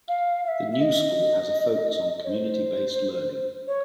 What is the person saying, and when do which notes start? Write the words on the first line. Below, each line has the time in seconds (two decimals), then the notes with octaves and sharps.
The New School has a focus on community-based learning.
0.08 F5
0.45 F5
0.48 E5
0.72 E5
0.81 D#5
2.24 C#5
2.29 C5
3.67 C#5